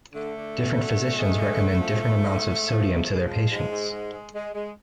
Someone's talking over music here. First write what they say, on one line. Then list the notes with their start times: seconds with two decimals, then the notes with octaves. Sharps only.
Different physicians recommend different amounts of sodium to their patients.
0.13 D3 A3
0.35 D3
0.55 F#2
0.76 D3
0.97 F#2
1.18 G#3
1.39 D3
1.60 F#2
1.80 F3
2.02 G#2
2.22 G#2
2.44 G#2
2.65 F3
2.86 G#3
3.07 G#3
3.27 F3
3.49 G#2 G#3
3.70 G#2
3.90 G#2
4.11 G#3
4.33 G#3
4.53 G#3